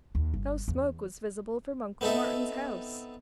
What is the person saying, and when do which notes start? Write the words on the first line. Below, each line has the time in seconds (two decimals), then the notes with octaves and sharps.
No smoke was visible from Uncle Martin's house!
0.15 D#2
0.34 G1
0.68 E2
2.01 B3 C4 D#4 A4 E5